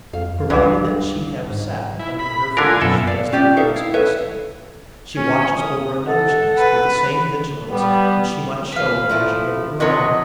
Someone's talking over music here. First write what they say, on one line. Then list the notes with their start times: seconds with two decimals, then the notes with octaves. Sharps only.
Provided that she have satin under her feet, she does not notice her mistake; she watches over another's nest with the same vigilance which she might show in watching over her own.
0.13 F2 F5
0.50 C#2 G2 B4
1.50 G#2
1.99 E4
2.19 B5
2.57 D3 D4 F4 A#4 G#5
2.82 F#2 B2 A4 E5
3.07 D5 F5
3.32 C#4 F4 G4 D5
3.57 D#4 A4 E5 F5
3.76 E4 F5
3.94 A4 B4 C#5 E5
5.14 C#4 G#6
5.55 D#6
6.06 A4 F#5
6.58 B4
7.68 G3 B3
8.72 B4 F5
9.09 F3 A3 E4
9.80 C3 F3 C#5 D#5 F#5 C6